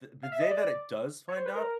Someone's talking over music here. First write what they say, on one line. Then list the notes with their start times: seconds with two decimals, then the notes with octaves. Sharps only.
The the day that it does find out,
0.23 F5
0.32 E5
0.41 D#5
0.51 D5
1.28 C#5
1.37 C5
1.46 B4
1.55 A#4